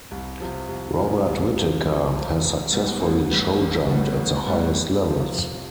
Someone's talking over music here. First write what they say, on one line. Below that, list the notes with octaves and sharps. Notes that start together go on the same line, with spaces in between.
Robert Whitaker has successfully show jumped at the highest levels.
C2
C3 F3
C2
C3 F3
C2
C3 F3
C2
C3 F3
A1
A2 G3 B3
A1
A2 G3 B3
A1
A2 G3 B3
A1
A2 G3 B3
F2
C3 F3
F2